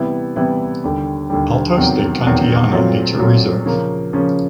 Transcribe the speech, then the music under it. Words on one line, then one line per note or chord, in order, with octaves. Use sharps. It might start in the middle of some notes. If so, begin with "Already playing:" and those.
Altos de Cantillana Nature Reserve.
Already playing: C3 E3 G3 B3 E4
C3 E3 G3 B3 E4
D#2 D3 G3
D#2 D3 G3
E2 C3 D#3 F#3
E2 C3 D#3 F#3
A#2 F#3 A3 C4 F4
A#2 F#3 A3 C4 F4
C#3 F3 A#3 C#4
C#3 F3 A#3 C#4